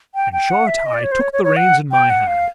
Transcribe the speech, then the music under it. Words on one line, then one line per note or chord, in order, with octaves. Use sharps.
In short, I took the reins in my hand.
G5
G5
F#5
E5
D#5
D5
C#5
C5
C#5
C#5
C#5
F#5
G5
F#5
F5